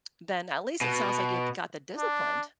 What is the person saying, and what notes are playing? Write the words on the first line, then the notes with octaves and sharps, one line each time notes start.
then at least it sounds, like, you've got the disciplined.
B2
D4